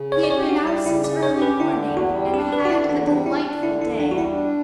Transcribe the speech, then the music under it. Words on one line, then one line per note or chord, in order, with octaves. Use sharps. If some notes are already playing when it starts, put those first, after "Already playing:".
He had been out since early morning, and had a delightful day.
Already playing: C#3
C#4 C#5
D5
C#5
G4
F#4
G3
E4
C#3 E4
D5
C#4
C#5
G4
B4
D3 E4
E2
F#4
G3
D4 G4
B4
D3
F#4
E4
E2
D4
G3 D4
E4
D4
D3
E4
E2 E4
D4
G3 F#4
E4
D4